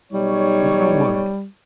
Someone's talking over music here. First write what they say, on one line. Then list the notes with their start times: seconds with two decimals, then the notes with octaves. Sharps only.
Not a word.
0.12 B1 G3 D#4 C#5